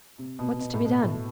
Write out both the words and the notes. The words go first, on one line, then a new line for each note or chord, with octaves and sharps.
What's to be done?
C3
B2
B2
A2
B2
A2